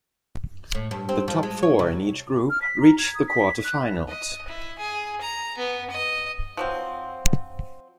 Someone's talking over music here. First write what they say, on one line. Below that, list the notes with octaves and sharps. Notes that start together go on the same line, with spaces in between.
The top four in each group reach the quarter-finals.
A2
G2
C4
F3
G#3
C#5
C3
F6
B6
A#5
G#6
D#6
B6
F#6
D#5
E4
G#4
A#5
B3
D#5
F3 F#3 C4